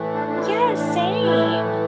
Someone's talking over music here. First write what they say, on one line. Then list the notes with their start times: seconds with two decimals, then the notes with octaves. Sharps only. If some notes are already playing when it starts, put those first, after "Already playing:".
Yeah, same.
Already playing: A2 E3 A3
0.14 D4
0.28 D4
0.35 F4
0.41 E4
0.60 D4
0.78 D4
1.23 E4